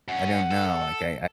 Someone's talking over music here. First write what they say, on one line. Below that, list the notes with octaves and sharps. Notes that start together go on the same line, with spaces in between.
I don't know, like, I
F#2 C#4 F#5
A4